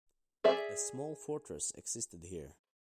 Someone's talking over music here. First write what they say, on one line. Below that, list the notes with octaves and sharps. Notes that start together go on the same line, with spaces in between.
A small fortress existed here.
G#4 D5 E5